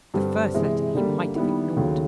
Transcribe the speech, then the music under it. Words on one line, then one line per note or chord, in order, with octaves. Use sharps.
The first letter he might have ignored.
G2 D3 G3 C4
C3 E3 G#3
D3 G3 A#3
D#3 G3 B3 E4 G4
D#2 C#3 F#3 A3